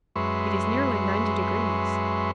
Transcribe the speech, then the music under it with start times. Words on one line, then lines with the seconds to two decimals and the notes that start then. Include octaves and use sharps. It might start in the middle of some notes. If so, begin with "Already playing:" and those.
It is nearly ninety degrees.
0.16 F#2 G#3 B4 E5 C6 C#6